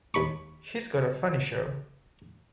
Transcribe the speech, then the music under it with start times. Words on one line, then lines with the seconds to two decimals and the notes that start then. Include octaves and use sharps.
He's got a funny show.
0.14 D#2 B5 C#6